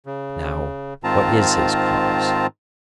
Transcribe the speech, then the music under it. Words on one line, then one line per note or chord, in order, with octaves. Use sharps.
Now, what is his cause?
C#3
G#2 D#3 C4 F4 A5 A#5